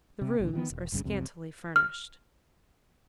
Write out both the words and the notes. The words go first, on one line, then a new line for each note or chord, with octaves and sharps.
The rooms are scantily furnished.
C3
B1 A#2 D3
D#3 E3 B3
E1
G1 C2 G2 C#3
C2 F2 C3
F6